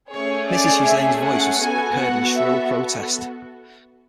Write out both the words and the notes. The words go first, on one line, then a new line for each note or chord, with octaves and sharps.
Mrs. Hussain's voice was heard in shrill protest.
A3 C#4 G#4 C#5
D5
E5
F#5
B3 F#4 A4 G#5
F#5
E5